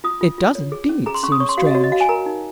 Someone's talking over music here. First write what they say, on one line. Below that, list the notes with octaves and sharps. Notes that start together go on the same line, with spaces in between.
"It does indeed seem strange."
F4 D#6
F4
F4
C#5
G#4
C#4
G#4 A#5
C6
C#4 C#6
D#6
C#5 C#6
C6
F#4 F5
D#5
F#4 C#5
D#5
F#4 F5
G#5
A#4 A#5
D#4